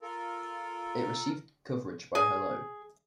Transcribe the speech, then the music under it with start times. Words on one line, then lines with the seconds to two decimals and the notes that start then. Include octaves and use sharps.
It received coverage by Hello!
0.01 F4 A4 A#4
2.15 G#4